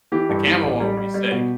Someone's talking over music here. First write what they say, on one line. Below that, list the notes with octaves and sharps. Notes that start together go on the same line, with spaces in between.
The camo one would be sick.
E3 G4
G2
E3
A1
G3
G3
G3
B2